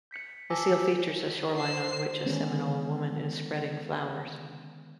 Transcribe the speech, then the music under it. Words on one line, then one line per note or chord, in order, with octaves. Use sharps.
The seal features a shoreline on which a Seminole woman is spreading flowers.
G6 B6 C#7
G#5 A5 D6 E6 B6
C5 C7 E7
D3 D#3 G#3 B3 C#4 G#4